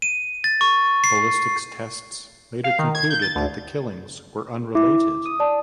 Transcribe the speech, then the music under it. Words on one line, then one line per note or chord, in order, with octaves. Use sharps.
Ballistics tests later concluded that the killings were unrelated.
D#7
A6
C#6
C7
F5
D#3
G#6
G6
A6
D2
E4 D6
D#6
D5 A5